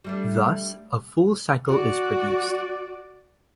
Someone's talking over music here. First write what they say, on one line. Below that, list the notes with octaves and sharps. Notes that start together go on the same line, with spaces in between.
Thus, a full cycle is produced.
G3 A3 D4
F#4 D5